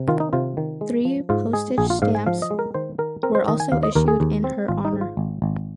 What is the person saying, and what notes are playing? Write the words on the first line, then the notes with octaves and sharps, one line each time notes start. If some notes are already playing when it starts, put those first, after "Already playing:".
Three postage stamps were also issued in her honour.
Already playing: C3
D#3 F4
D#4
C3 F4
D#3
G#3
F3
G#2 F4
G#3 G#4
A#1 G#4
F4
G#2 F5
G#5
F3 F5
D#5
G#3
A#4
D#3 C5
D#3 A#4
C4 A#4
C5
D#3 D#5
G#5
D#2 F5
D#5
D#2 A#4
G#4
D#2
C4
G#1 F4
D#4
G#2
F4
G#1
G#1